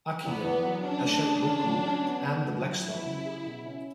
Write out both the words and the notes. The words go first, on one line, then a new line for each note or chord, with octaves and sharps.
Acquia, Hachette Book Group and The Blackstone Group.
E2 B3
E2
F#3
C#4 D4
A3
G#4
C#4
F#3
C#4
B3
B3
F#2
F#3 E4
F#3
C#3
G#4
B2
C#4